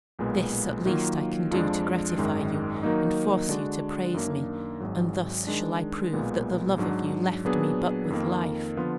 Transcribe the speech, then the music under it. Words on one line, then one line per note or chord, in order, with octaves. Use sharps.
This at least I can do to gratify you and force you to praise me; and thus shall I prove that the love of you left me but with life.
B1 A#2 G#3 B3
D#3 F#3 A#3 F4
F2 F3 G#3 D4
G#1 F#2 D#3 G#3
D#3 F#3 A#3 D#4
D3 G#3 D4 F#4
F#2 D#3 A#3 D4
G#1 G#2 F#3
D#3 G#3 D4
B1 A#2 G#3 B3
G#2 F#3 D4
A#2 F#3 B3 D4 G#4
F2 D#3 A#3
D3 F3 B3 F4